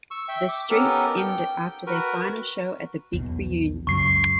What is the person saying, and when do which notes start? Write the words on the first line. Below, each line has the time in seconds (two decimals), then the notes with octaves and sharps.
The Streets ended after their final show at The Big Reunion.
0.11 C#6 E6
0.28 E5 G5
0.49 D6
0.70 B3 C#4 D#4 G4 A4 A#4
1.17 G5
1.87 F#4 A#4 B4
3.13 B1 E2 B2
3.87 C#2 F#2 C#6 C7